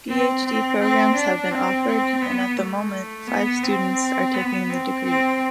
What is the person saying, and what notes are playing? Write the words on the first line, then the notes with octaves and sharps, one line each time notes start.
Ph.D.-programmes have been offered and at the moment five students are taking the degree.
C4
C4
C4
D4
C4
C4
B3
A3
B3
C4
B3
C4
C4